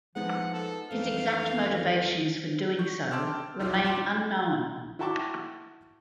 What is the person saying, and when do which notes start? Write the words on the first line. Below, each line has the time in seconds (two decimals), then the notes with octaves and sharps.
His exact motivations for doing so remain unknown.
0.16 F3 G#3 B3 D#4 F#5
0.54 A4
0.91 F2 E3 A3 D#4 F5
2.79 C#6 G6
3.11 G5 A5 C6 D6 E6 F6
3.59 B1 E2 D#4 F4 D6 F6
3.84 A#1 F#3 G5 C6 D6 E7
4.99 E4 F#4 G5 A5 C#6 D6